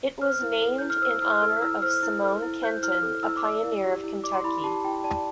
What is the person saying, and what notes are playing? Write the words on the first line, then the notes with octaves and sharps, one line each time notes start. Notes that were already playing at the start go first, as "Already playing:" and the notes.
It was named in honor of Simon Kenton, a pioneer of Kentucky.
C5 F6
E4
A4
E4 G6
F6
C5 E6
E4 F6
F6
A4 E6
E4 E6
C5 F6
E4
A4
E4
C5 G6
E4 F6
A4
E4 E6
D6
D5 E6
E4
G4
E4
D5 D6
C6
E4 B5
G4 A5
E4 G5
D5 A5